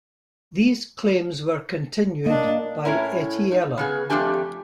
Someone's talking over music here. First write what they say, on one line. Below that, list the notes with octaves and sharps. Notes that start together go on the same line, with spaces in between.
These claims were continued by Etteilla.
A#3 D4 D#5
A2 C#4 E4 A#4
D#4
C#3 B3 G#4
F2 F3 A3 D4 G4 G#5